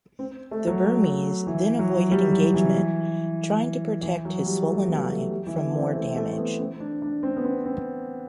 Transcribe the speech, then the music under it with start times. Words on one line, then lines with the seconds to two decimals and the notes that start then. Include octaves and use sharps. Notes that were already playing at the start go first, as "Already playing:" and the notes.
The Burmese then avoided engagement trying to protect his swollen eye from more damage.
0.19 C4
0.51 A3
0.67 F#3
1.47 E3
1.79 F#3
2.12 G3
2.32 F#3
2.54 E3
4.03 E3
4.25 F#3
4.46 G3
4.67 A3
4.88 B3
5.10 A3
5.31 G3
5.47 E3
5.63 B3
5.79 C4
5.95 A3
6.16 A3
6.32 A3
6.38 B3
6.60 C4
6.80 D4
7.02 D4
7.23 C4
7.37 B3
7.45 C4
7.65 C4